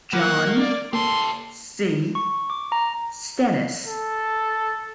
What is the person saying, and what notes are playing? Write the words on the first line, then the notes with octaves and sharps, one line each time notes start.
John C. Stennis.
F#3 A#3 F#5 B5 D6
D4 D5
A#3 G4 A4 C6
C#6
D6
A#5
A4